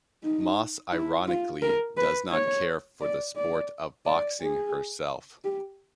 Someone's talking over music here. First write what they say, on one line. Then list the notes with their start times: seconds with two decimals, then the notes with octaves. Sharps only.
Moss ironically does not care for the sport of boxing herself.
0.23 D#4
0.93 E4
1.28 F4
1.62 A#4
1.97 B4
2.32 C#5
3.01 D5
3.36 D5
4.06 D5
4.41 G#4
5.44 G4